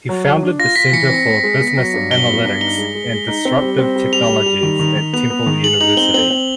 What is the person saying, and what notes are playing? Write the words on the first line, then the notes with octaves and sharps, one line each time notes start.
He founded the Center for Business Analytics and Disruptive Technologies at Temple University.
F#3
F#3
D4
F4 A#6
F4 B6
E3 C#7
C4
C4
G#3
B3
F#3
G2
F#3 G7
B3
G2
D#4 G7
G#3
G#3
G#3
D#4
C4
G3
C4
G3
G3 F7
G3
G3
D#3
D#3
D#3
B3 F7
B3
D#3
G#3 F#7
D#4 F#7
C4 G7
C4 F#7
C4